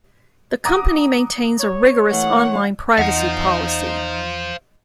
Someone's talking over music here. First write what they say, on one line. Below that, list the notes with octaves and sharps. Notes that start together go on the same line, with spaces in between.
The company maintains a rigorous online privacy policy.
F#5 A#5 D6 D#6 A#6
C#5
E3 A3 F#5
E2 D#4 C5 D#5 F5 F#5